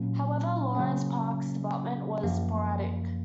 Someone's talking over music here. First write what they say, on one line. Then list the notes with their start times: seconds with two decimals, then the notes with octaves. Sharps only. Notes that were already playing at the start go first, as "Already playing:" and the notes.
However, Lawrence Park's development was sporadic.
Already playing: A#2 F#3 A#3 C#4
0.75 C#3 F#3 A#3 C#4
2.23 F#2 F3 A#3